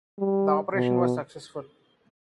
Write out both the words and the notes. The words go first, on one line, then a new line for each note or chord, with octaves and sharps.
The operation was successful.
G3
B2